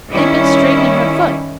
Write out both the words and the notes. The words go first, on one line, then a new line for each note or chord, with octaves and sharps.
They've been straightening her foot.
D#3 G3 C#4 E4